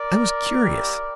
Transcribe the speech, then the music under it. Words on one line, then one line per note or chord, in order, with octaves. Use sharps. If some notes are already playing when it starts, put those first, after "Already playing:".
I was curious.
Already playing: A#4 D5
A#3 E4 G4